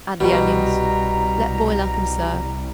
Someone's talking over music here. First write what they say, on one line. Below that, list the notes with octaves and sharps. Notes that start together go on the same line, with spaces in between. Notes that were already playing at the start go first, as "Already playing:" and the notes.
Add the onions; let boil up and serve.
C2 B2 G3 A#5